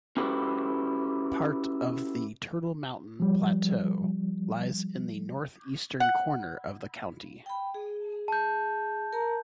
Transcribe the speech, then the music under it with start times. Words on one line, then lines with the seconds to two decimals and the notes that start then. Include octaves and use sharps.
Part of the Turtle Mountain plateau lies in the northeastern corner of the county.
0.17 C#4 E4 F#4 G4 A4 B4
3.20 F3 G3
6.00 F#5
7.46 G5 B5
7.74 G#4
8.28 A5 G6
9.13 A#4 A#5